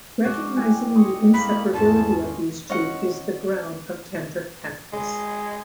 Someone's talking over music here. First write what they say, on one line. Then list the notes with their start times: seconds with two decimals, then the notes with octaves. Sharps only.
Recognizing the inseparability of these two is the ground of tantric practice.
0.25 F3 G#3 F#4 D5
0.57 A2 G4 G#5
0.95 D#5 C6 C#6
1.34 G#3 A#3 C4 F4 B5
1.73 E2 G#2 B3 C#4 F4 A5
2.70 C#4 D#5 F#5
4.93 G#3